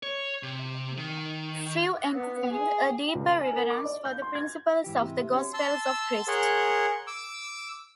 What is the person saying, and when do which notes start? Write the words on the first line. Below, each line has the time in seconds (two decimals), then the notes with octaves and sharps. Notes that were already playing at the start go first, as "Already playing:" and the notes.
Few entertained a deeper reverence for the principles of the Gospels of Christ.
0.03 C#5
0.43 C3
0.98 D#3
2.14 B3
2.51 G#4
3.15 C#2
3.29 F#7
3.41 G#5
3.53 A#4
3.70 D6
3.85 D5
4.05 G6
4.22 C6
4.35 G#6
4.84 G#2 E3 G4
5.01 C3
5.33 C#4 F#4
5.54 A5 C6 E6
6.28 G#4 A#4 C#5 F#5 C6
7.07 D6 E6